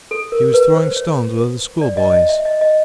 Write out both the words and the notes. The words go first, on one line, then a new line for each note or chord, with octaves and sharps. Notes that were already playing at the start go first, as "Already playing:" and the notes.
He was throwing stones with other schoolboys.
A4
A#4
B4
C5
C#5
D5
D#5
D#5
E5
D#5
D#5